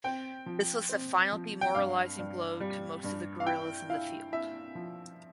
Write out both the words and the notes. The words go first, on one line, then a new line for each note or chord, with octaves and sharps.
This was the final demoralizing blow to most of the guerrillas in the field.
C4 G5
F3
C4
F3
G5
G2 F5
G2
G3
G2
F5
E4 G5
E4 F5
E4 E5
F3